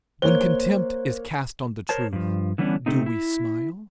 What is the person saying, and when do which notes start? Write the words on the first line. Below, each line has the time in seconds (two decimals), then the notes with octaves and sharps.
When contempt is cast on the truth, do we smile?
0.22 A#3 C5 C#5 G7
1.89 A#4 C5 C#5 A5
2.13 G2 F3
2.58 D3 E3 G3 B3 C#4 D4
2.86 C3 A3 C4 D#4
3.06 E4